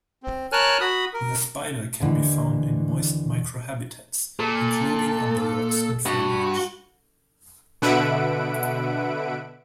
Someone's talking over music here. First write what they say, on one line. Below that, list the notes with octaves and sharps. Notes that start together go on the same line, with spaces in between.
The spider can be found in moist microhabitats, including under logs and foliage.
C4
A#4 C#5 G#5 A5 F6 F#6
F#4 B5 D#6
A#4
D#2 D3 E3
A#2 A4
G2 F#4
B2 D3 B4 E5 F#5 D7